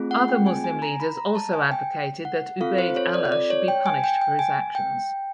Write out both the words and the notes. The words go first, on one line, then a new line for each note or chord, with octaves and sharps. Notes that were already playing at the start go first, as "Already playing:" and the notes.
Other Muslim leaders also advocated that Ubayd Allah should be punished for his actions.
Already playing: A3 C4 F4 G#4
F#5
G5
G#5
G#5
A#5
B5
A#5
A5
G#5
G5
F#5
C4 F4 A4 F5
C5
C#5
D5
D5
C#5
G5
G#5
G5
G5
G#5
G5